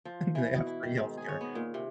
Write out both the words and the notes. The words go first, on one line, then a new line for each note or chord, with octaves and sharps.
They have free health care.
F3
E3
B2
E4
D#3
G#2
G#4
C#5
B3
A#2
C3